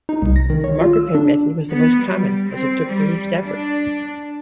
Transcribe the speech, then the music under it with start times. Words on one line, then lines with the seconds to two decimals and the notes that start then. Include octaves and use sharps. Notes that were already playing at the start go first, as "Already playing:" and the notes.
The marker pen method was the most common as it took the least effort.
0.09 D#4
0.22 C2
0.36 A#6
0.50 D#3
0.64 C#5
0.81 F4
0.93 E6
1.15 D4
1.73 B3
2.03 G3
2.52 C4
2.88 G3
3.45 D4